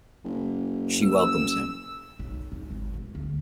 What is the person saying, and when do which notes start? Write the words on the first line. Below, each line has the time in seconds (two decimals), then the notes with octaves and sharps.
She welcomes him.
0.24 F#1
1.04 E6
2.19 B1
2.52 E2
2.70 G#1
2.94 E3
3.15 D2